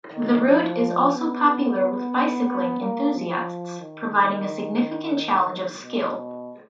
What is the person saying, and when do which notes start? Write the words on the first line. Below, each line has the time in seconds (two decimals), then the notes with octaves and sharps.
The route is also popular with bicycling enthusiasts, providing a significant challenge of skill.
0.12 D#3
0.45 F3
1.13 B3
2.47 B3
2.80 A#3
3.14 F3
3.80 D#3
5.82 B2